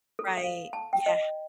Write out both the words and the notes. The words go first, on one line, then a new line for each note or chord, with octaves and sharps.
Right, yeah.
A4
F5
A5
G5
D#5